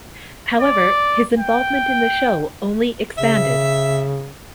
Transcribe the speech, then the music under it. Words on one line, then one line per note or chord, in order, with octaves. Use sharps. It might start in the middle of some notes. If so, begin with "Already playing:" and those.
However, his involvement in the show only expanded.
D5
G5
C#3 E5